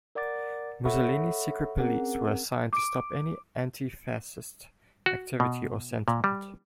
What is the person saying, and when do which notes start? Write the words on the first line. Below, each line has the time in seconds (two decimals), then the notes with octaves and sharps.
Mussolini's secret police were assigned to stop any anti-Fascist activity or sentiment.
0.15 A#4 D5 F#5 D6 A6
0.85 A4 C#5 E5 F#5 B5 C#6
1.78 C4 C#4 G#4 A#4 F#5
2.73 D6 D7
5.06 F#4
5.40 B2
6.08 A#2
6.24 G3